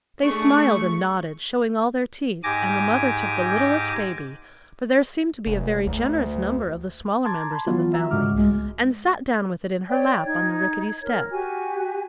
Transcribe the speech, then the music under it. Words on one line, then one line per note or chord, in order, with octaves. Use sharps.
They smiled and nodded, showing all their teeth, and the mother took the littlest baby, for there seemed to be a very generous number of the smaller members of the family, and sat down with it in her lap on the rickety step.
A3 D4 G#4 C#6
G#2 G4 G#5 D6 A#6
F1
D2
A5 A#5 C6 D6 G#6 A6
A5 B5 C6
E3 F#3 B3 F4 F#4
E5 A#5 E6
G#2 C#3 G#3 F#4 D6 F6
C2 G#3
C#5 D5 G5
D#4 G#6
A#4 C#5
F#4 G4 G#5